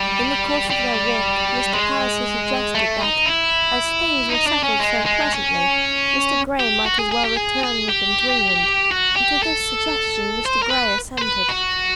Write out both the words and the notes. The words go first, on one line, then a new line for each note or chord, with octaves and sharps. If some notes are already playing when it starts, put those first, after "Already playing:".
In the course of their walk Mr. Palliser suggested that, as things were settled so pleasantly, Mr. Grey might as well return with them to England, and to this suggestion Mr. Grey assented.
Already playing: G3
G3
G#3
A3
D#4
E4
D#4
D4
C#4
G#3
G#3
C#4
G4
F#4
G#4
G#4
G4
G#4
G#4
G4
F#4
G4
A4
C5
A#4
B4
C5
B4
F#4